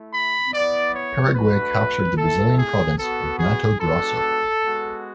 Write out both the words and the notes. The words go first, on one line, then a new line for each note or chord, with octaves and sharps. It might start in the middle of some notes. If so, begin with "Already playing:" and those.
Paraguay captured the Brazilian province of Mato Grosso.
Already playing: A3 E4
B5
B3 E4 D5
C#5
A3 D4 F#4 B4
A3 E4 A4
G#4
B3 F#4 A4
G#4
G#3 B3 D4 F#4 A4
G#3 B3 F#4